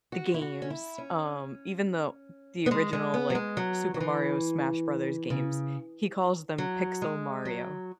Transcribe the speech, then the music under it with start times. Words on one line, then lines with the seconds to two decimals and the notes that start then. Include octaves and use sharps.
the games, um, even though the original, like, Super Mario Smash Brothers games, he calls them Pixel Mario.
0.12 F#4
0.34 E4
0.41 F#4
0.62 C#4
0.70 E4
0.98 C#4
2.66 B3
2.71 G#3
2.93 G#3
3.14 B3
3.30 F#3
3.35 G#3
3.57 F#3
3.94 F#3
4.00 E3
5.30 C#3
6.58 F#3
7.02 G#3
7.45 F#3